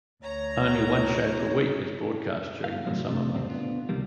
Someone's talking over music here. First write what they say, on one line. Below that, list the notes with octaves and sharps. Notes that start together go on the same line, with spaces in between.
Only one show per week is broadcast during the summer months.
D2 C#5 A#5
F5
A2 C3 D#3 F#3
C3 A3
A2 C#3 G3 A3 C4
B3 D4 F4
C#2 C3 D#3 G3 A#3